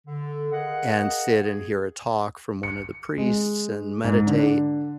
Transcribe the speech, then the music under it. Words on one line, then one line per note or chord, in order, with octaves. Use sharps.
and sit and hear a talk from one of the priests and meditate.
D3
G#4 A#4 D#5 F5 F#5
G#4
C#7
G#3
G#2
D3